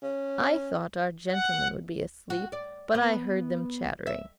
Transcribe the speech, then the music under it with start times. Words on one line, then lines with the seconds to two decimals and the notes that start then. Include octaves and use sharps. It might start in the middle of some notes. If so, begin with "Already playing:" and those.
I thought our gentlemen would be asleep, but I heard them chattering.
0.03 C#4
1.29 F#5
2.30 F#4
2.52 D5
2.95 B3
4.07 E5